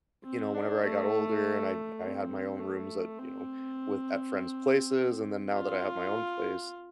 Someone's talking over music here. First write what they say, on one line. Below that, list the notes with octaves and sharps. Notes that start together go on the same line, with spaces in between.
you know, whenever I got older and I I had my own rooms at you know, with at friends' places, and then now that I have my own place,
C4
D4
A3
C4
A3
C4
F4